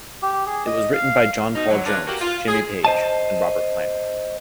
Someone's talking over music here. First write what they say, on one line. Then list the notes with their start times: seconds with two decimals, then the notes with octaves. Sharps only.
It was written by John Paul Jones, Jimmy Page and Robert Plant.
0.22 G4
0.46 G#4
0.66 D#5
0.93 F5
1.55 B2 D#4
1.69 D3 F#3
1.86 C#4 D4 F4 A#4 B4 C#5
2.07 A#3 F#4 G4
2.20 F4
2.48 G#4
2.85 C5 D#5 A5